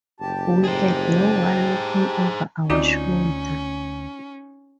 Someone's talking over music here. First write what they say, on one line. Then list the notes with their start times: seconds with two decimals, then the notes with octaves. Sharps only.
We had no one looking over our shoulder.
0.20 F#1 G4 A5
0.64 G#4 C5
2.70 D2 C4 C#4 D#4 F4 F#4 D5